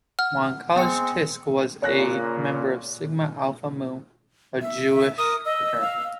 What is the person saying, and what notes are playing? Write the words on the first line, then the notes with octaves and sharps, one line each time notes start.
While in college Tisch was a member of Sigma Alpha Mu, a Jewish fraternity.
F#5 F6
G#3 B3 C4 G5 C#7
A#2 C#3 C#5 F#6 A#6
E5
A#4 D#6
D#5 E6
F5